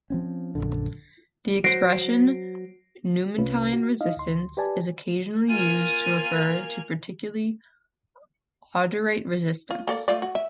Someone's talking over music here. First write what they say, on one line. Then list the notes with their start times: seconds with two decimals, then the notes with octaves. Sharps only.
The expression "numantine resistance" is occasionally used to refer to particularly obdurate resistance.
0.10 F3 C4 C#4
0.55 A#1 F#2 D3
1.64 F#3 C5 A#6 C7 D7
3.38 C2 C3 C#4 F4 B4
3.73 F#4
4.01 D#4 E4 D#5 F5
4.17 D2 C6
4.57 G4 B4 D5 G#5 A5
5.49 A#3 F4 G#5 F6 G#6 D#7
9.71 F4
9.88 A#3 A4 D5
10.08 A3 F4 D5
10.22 F#4
10.35 E5